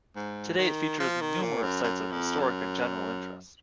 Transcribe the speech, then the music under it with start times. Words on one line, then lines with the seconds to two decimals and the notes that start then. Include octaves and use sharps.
Today, it features numerous sites of historic and general interest.
0.16 G#2
0.58 D#3
1.00 F3
1.21 D#3
1.42 A#2
1.63 F#2
1.84 F#2
2.12 F2
2.40 F#2